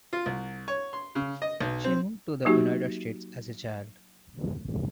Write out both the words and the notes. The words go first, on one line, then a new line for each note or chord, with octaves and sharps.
She moved to the United States as a child.
F4
C2
C#5
C6
C#3
D#5
B1
C4
F#3 A#3 D#4 F#4 G4